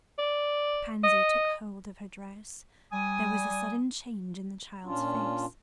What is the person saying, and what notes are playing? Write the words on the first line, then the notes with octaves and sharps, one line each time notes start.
Pansy took hold of her dress; there was a sudden change in the child's face.
D5
D#5
G3 G#5 D#6
A#2 C#4 D4 F4